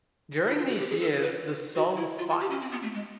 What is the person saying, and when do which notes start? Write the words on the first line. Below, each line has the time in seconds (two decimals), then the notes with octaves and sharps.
During these years, the Song Fight!
0.47 E4
0.58 F4
0.68 F#4
0.79 G4
0.90 G#4
1.01 A4
1.22 B4
1.76 F#4
1.97 E4
2.19 F4
2.30 F4
2.41 G4
2.51 C#4
2.61 C4
2.72 B3
2.82 A3
2.94 G#3